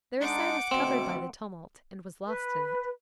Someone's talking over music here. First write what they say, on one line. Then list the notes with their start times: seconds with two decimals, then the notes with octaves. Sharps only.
Their aside was covered by the tumult and was lost in it.
0.20 G#3 D4 D#4 F#5 D6
0.71 D2 B2 C4
2.25 B4